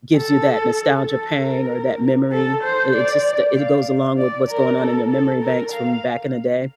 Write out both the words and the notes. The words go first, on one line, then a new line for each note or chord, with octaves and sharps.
gives you that nostalgia pang, or that memory. It it just it goes along with what's going on in your memory banks from back in the day.
A4
A4
A#4
A4
C5
D5
F5
D5
A#4
A4
A4
A#4
F5